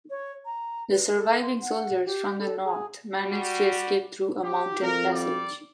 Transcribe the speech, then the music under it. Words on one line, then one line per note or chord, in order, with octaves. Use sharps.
The surviving soldiers from the North manage to escape through a mountain passage.
C#5
A#5
B4
A4
C6
F#5
G4
A4
G#4
G3 F#4
G4
F2 A#4
G3 D5